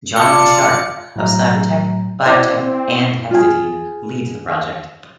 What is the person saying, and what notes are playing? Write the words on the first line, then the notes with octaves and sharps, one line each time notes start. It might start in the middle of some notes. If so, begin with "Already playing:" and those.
Jonathan Sharp, of Cyber-Tec, Biotek, and Hexedene, leads the project.
F4 D5 A5 C#7
A2 F#3 A#5
C4 E4 C5 D5 D6
F4 G#4